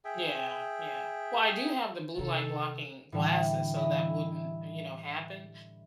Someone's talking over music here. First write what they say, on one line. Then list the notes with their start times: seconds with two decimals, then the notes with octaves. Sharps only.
Yeah, yeah. Well, I do have the blue-light-blocking glasses, so that wouldn't, you know, happen.
0.05 G#4 E5 G5
2.17 C3 D#3 A4
3.12 A2 D3 E3 G3
3.76 E4 D#5